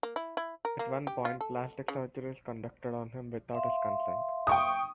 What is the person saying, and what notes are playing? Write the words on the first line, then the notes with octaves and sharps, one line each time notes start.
At one point plastic surgery is conducted on him without his consent.
A#3
E4
E4
A#4
A#3
G4
F4
A4
C#3
E5 F5 C6
G5 C#6 D#6